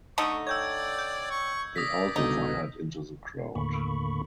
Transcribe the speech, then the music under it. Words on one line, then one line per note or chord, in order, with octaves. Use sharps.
They also fired into the crowd.
D3 A3 D#4 C#6
C#5 D5 G5 E6 G6 G#6
G6
C#6
D5 D#6 A#6 B6
C2 B2 D3 D#4
D#2 A2 D3 A#3 B5 C#6